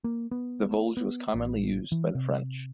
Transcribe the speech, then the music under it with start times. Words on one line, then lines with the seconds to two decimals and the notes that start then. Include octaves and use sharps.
The voulge was commonly used by the French.
0.04 A#3
0.31 B3
0.97 B3
1.34 A1
1.92 E3
2.15 C3